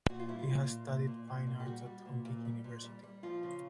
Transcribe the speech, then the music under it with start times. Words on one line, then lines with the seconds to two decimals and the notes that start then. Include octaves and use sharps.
He has studied fine arts at Hongik University.
0.09 A#2 F#4
0.20 F4
0.29 G3 E4
0.39 F4
0.49 A#2
0.69 A#2
0.88 A#2
1.07 A#2
1.27 A#2
1.47 A#2
1.60 G4
1.66 G3 F#4
1.86 G3
2.05 A#2
2.25 A#2
2.45 G3
2.64 A#2
2.84 G3
3.03 G3
3.23 F3 F4
3.43 C#3